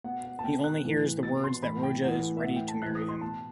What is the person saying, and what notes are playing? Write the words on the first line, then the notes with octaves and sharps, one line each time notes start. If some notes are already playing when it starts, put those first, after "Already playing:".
He only hears the words that Roja is ready to marry him.
B2 F#5
F#5
A5
B2 G5
F#6
A2 E3
B2 A6
C6
A2 E3 B5
G5
A2 E3 F#5
E5
A2 E3 F#5
G5
A5
A2 E3 F#6
D#6
C6
B2 A5